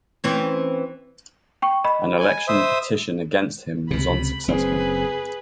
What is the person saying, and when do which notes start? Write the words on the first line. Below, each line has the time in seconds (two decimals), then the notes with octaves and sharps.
An election petition against him was unsuccessful.
0.24 E3 C4 C#4
1.62 G5 C#6
1.84 D#5 B5
2.20 G#5
2.48 C5 E5 D#6
3.91 C#2 C3 B5
4.48 F#1 C4 G#4 B4